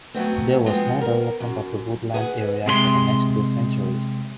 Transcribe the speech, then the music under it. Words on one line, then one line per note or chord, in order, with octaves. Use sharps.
There was no development of the woodland area for the next two centuries.
F#3 A3 B3 C4
F3 G#3 B3 C4
A#4
F#2
G#4 B4 F#5
C3 G#3 F5 C6